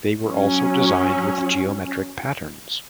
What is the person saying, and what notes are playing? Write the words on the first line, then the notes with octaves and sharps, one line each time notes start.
They were also designed with geometric patterns.
F#3 C#4